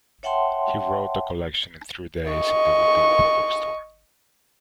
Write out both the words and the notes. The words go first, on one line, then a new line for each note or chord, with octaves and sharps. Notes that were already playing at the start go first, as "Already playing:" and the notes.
He wrote the collection in three days in the window of a bookstore.
C#5 E5 F#5 G5 A5 C6
D#5 C#6